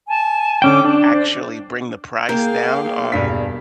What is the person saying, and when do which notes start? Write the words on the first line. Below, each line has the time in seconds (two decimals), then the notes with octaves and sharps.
actually bring the price down on
0.07 G#5 A5
0.62 D3 C#4 G5 D6
0.84 D4 A5
1.11 C5 D5
2.29 A#3 G#4 F5 G5 G6
3.12 E1 G2 B2 B6